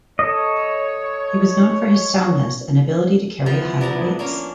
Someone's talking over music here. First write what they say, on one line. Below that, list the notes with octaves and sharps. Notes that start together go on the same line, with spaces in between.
He was known for his soundness and ability to carry high weights.
A4 C#5 D#5
F3 B3 E4
D4 D5 A#5
A#3 C#4 D4